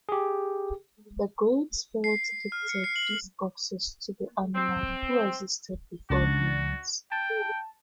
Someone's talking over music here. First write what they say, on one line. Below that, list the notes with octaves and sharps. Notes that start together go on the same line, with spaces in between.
The Great Spirit gifted these boxes to the animals who existed before humans.
G4 G#4
C7
F6
C#7
C7
F#7
C4
C#2 D4 F#4 A6
G5 A5